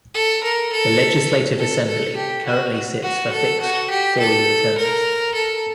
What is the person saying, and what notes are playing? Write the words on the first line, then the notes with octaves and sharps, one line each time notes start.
The Legislative Assembly currently sits for fixed four-year terms.
A4
A#4
A4
A4
A4
G4
F#4
F#4
A4
F#4
G4
A4
A#4
A4